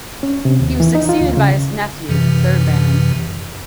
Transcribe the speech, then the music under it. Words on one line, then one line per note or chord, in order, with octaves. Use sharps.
He was succeeded by his nephew, the third Baron.
C#4
C3
D#2
E3
D#4
F4
D2
C#3
F#2 C3 E3